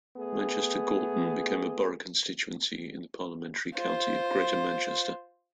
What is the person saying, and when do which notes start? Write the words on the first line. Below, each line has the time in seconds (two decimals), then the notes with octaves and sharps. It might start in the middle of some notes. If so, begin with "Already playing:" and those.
Manchester Gorton became a borough constituency in the parliamentary county of Greater Manchester.
0.16 A3 B3 G#4
3.75 F4 C5